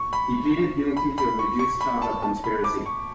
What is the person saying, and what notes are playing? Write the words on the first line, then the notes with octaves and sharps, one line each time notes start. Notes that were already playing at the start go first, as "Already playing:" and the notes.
He pleaded guilty to a reduced charge of conspiracy.
Already playing: C#6
B5
B5
B5
C#6
C#6
B5
A5
A5
B5
D6
C#6